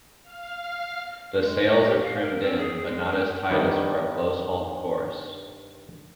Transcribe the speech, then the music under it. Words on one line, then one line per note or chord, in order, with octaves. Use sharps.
The sails are trimmed in, but not as tight as for a close-hauled course.
F5 F6
G#3
D#5
G4
F5
A#4
C4
G#4
G#3
A#4
G2 D#3 G3 D4